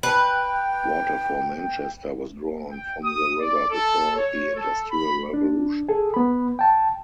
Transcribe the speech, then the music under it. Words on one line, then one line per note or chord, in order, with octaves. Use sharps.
Water for Manchester was drawn from the river before the Industrial Revolution.
B4 G5
G5
D#6
D5
A4
C#5
A4
B5
D4
G#4 A4
B3 B5
G5 A5